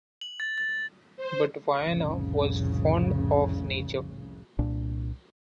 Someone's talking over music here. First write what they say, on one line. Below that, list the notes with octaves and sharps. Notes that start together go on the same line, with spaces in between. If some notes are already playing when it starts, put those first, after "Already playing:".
But Viana was fond of Nature.
F#7
A6
A6
C5
F1 C2 A2 C#3
C2 A#2 D4